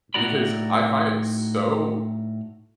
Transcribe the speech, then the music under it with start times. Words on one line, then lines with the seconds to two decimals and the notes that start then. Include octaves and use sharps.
Because I find it so
0.14 A2 D#4 F#4 A#4 D5 B5